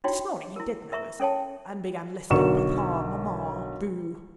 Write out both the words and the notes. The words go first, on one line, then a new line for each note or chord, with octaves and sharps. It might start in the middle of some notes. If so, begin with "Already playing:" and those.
This morning he did know us, and began lisping papa, mamma, boo....
D4 D#4 F4 F#4 C#5 G5
E4 A#4
A#4 E5 A#5 C#6
C#4 A4 C#5 G5 A5
B1 D3 A#4 C#6 E7